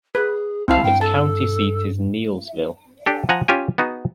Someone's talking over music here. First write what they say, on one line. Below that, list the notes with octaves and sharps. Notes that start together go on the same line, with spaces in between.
Its county seat is Neillsville.
G#4 B4
C2 C4 E4 F5 A5
G2 G5
A4 A5
D4 G4 A4
F3 F#5 G#5 A#5
C#4 F4 G4 G#5
B3 D#4 F#4 G#4